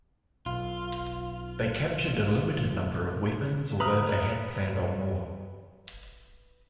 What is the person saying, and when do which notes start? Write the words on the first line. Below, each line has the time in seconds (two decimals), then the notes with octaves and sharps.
They captured a limited number of weapons, although they had planned on more.
0.46 B1 F4
3.80 B4 A#5 D#6 F6